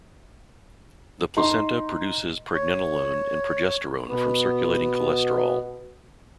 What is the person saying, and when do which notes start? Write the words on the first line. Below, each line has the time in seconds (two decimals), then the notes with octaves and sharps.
The placenta produces pregnenolone and progesterone from circulating cholesterol.
1.37 D#4 C6
2.54 C#5
4.08 B2 B3